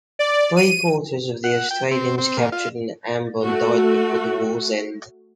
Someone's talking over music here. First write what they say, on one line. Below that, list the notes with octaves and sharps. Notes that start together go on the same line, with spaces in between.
Three-quarters of the Australians captured on Ambon died before the war's end.
D5
D#7
F#5
G5
C4
C4
A#2
F4
A3 F#4